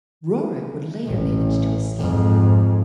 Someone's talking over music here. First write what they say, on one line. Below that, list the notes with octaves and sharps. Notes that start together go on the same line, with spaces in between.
Rorik would later manage to escape.
A1
F2 G#2